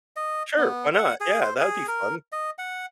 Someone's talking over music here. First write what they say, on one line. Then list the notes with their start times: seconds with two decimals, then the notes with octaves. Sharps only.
Sure, why not, yeah that would be fun.
0.16 D#5
0.58 B3
0.94 F#5
1.21 G#4
1.42 C5
1.60 G#4
1.88 A#4
2.32 D#5
2.58 F#5